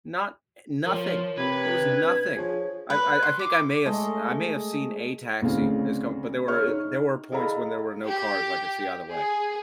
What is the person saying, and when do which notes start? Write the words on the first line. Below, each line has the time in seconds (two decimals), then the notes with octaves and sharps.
Not eh, nothing. There was nothing. I I I think I may have s I may have seen a taxi is coming, but there were there were points when there were no cars I could see either way.
0.87 F3 A#4 C#5
1.38 C3 B4 G#6
1.86 D4
2.36 F3 G#4 C#5
2.90 B4
3.23 C6
3.39 D6
3.86 G#3 A3 D#5
5.42 D2 A2 C#3 C4 F5
6.47 G#4 C#5 E5 C#6 F6
6.66 D#4
7.32 G#4 A4 D#5 F5 A#5 B5
8.04 G4
9.10 G#4